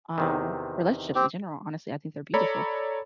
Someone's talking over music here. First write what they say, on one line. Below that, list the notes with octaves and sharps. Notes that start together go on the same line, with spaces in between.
um, relationships in general, honestly, I think they're beautiful.
E2 C3 D#3
C4 G4
A4 C#5 D5 A#5 B5